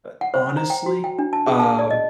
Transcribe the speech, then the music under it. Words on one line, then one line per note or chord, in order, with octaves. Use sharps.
Uh, honestly, um,
F#5
C5
A#5
G5
F#4
G5
D4
A5
G#4
A5
D5
D#5